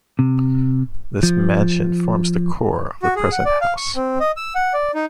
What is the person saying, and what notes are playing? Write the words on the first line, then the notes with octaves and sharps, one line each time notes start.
This mansion forms the core of the present house.
C3
F3
F#4
G#4
F#5
D5
F5
C#6
C4
D#5
E6
F#5
D5
D#4